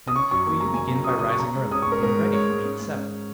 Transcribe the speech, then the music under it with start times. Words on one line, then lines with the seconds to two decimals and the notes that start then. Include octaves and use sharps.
"Then will you begin by rising early, and being ready for me at seven?"
0.08 D#6
0.15 C#4 C#6
0.31 F#2 C#6
0.46 A#3 C#6
0.60 C#3 A#5
0.74 F#2 G#5
0.88 F#2 A#5
1.04 D#6
1.09 C#3 C#6
1.19 D#6
1.24 C#4
1.30 C#6
1.40 C#4 A#5
1.56 G#3
1.71 C#4 D#6
1.82 C#6
1.87 G#2 A#4
2.03 G#2 A#4
2.18 G#3
2.33 G#2 C#5
2.50 G#2
2.64 C#4
2.81 G#2
2.95 C#4